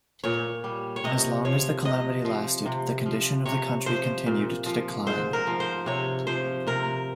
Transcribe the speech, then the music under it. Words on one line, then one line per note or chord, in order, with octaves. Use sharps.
As long as the calamity lasted, the condition of the country continued to decline.
A#2 C#5
G3
C#5
C3 D#5
F3 C#5
C3 D#5
F3
C3
F3
C3 C#5
F3 C5
A#2
F3
G#2 C5
A#4
F3
C5
C3 C#5
F3 C5
C3 A#4